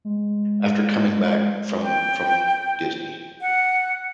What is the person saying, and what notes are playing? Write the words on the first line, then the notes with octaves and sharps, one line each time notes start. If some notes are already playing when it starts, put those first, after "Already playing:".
after coming back from from Disney?
G#3
G5
F#5